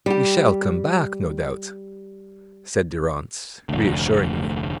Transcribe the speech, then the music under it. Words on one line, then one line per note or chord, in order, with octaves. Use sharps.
"We shall come back, no doubt," said Durrance, reassuringly.
G3 G4
F1 D2